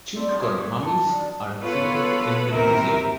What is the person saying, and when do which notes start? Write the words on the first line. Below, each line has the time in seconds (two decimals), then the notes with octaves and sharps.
Chinchorro mummies are exhibited in the museum.
0.16 G3 C4 E4 D5
0.30 F3 B3 C4 D4 G5
0.42 G#3 A#3 B3 G#4 A#4 E5
0.57 E3 F#3 A3 E4
0.83 A4
1.07 D#3 D4
1.60 B3 F4 A4 B4 C#5
2.51 D#2 C3 E3 A#4 E5